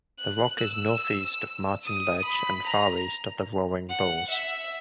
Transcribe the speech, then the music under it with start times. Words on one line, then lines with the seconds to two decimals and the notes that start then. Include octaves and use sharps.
The rock is northeast of Martin Ledge and far east of the Roaring Bulls.
0.19 F#6
0.60 E6
1.84 D#6
2.24 B5
2.66 A#5
3.89 F#5
4.31 E5